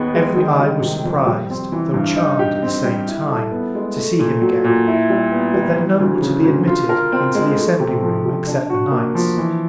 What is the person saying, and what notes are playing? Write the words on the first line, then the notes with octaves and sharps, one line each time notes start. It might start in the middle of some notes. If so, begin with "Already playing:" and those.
Every Eye was surpriz'd, tho' charm'd at the same Time to see him again: But then none were to be admitted into the Assembly-Room except the Knights.
Already playing: D#2 B3 D#4 G#4
G#3
D#3
G3
C3
F2
G3
C4
E3
G2
D#4
G4
C4
G3
E4
A4
B3
G#3
A3
A#2
F#3
A#2
E4
G3
B3
G3
E3
D2
C#3
D2
F4
A#4
C4
G#3
A3
C3
F3
C3
D4
F#4
A#3
F3
E3